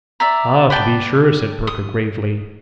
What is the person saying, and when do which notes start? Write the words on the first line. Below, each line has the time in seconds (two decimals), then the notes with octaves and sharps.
'Ah, to be sure,' said Perker gravely.
0.20 D5 E5 A#5
0.70 B4 D5 G5 A5
1.67 D#6